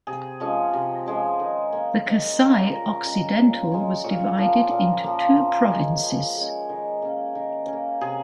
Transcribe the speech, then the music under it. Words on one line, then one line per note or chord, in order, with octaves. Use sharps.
The Kasai-Occidental was divided into two provinces.
C3 G#4
F3 G#3 C#4
C3
F3 G#3 C#4
D#3
A#3 C#4
D#3
A#3 C#4
A#2 A#4
G#3 C#4
A#2
G#3 C#4
A#2 C#5
F3 A#3
A#2
F3 A#3
F3
G#3 C#4
F3
G#3 C#4
D#3
A#3 C#4
D#3
A#3 C#4
C3 G#4